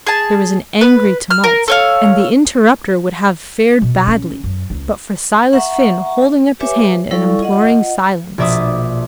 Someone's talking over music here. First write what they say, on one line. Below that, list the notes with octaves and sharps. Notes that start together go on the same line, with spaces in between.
There was an angry tumult, and the interrupter would have fared badly, but for Silas Finn holding up his hand and imploring silence.
G#4 A5
B4
F6
A#4
A4 C#5 F5
B2
C#4
F#2
C#2
E5 F#5 A#5 C#6
G4 B4 C#5 E5 G#5 D6
G3 E4 A4 D5 F5 C#6
F4 D#5 F#5
A#1 B2 D5 E5 D6 D#6